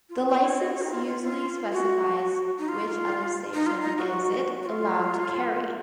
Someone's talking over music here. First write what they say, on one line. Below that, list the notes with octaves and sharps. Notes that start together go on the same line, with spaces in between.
The license usually specifies which other station is it allowed to carry.
F4
C5
C#5
D#5
C#5
D#4
F4
F4
F4
F#4
D#4
F4
D#4
F4
D#4
F#4
F#4
F4